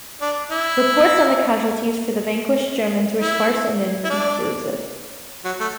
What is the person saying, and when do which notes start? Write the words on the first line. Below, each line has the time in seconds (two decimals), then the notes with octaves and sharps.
Reports on the casualties for the vanquished Germans were sparse and inconclusive.
0.21 D4
0.51 E4
3.21 E4
4.05 E4
4.10 D4
5.44 F#3
5.60 A3